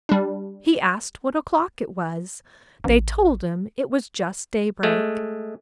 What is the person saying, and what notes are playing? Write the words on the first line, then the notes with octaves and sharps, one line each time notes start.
He asked what o'clock it was; they told him it was just daybreak.
G3 D4
A1
G#3 A3